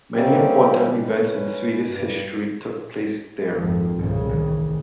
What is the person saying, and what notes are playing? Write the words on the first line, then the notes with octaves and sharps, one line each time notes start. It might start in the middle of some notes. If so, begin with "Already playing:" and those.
Many important events in Swedish history took place there.
G3 A#3 C4 C#4 E4 G4
C#4 B4
G2
G#1 F2
D#1 C2 G2 C#3 C#4
A1 D#3 E3